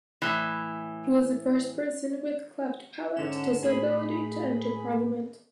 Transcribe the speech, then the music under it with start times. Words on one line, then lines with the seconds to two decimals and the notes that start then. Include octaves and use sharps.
He was the first person with the cleft palate disability to enter Parliament.
0.22 A2 E3
3.16 G#2 D3 C#4 E7
3.63 A2 G#4 B5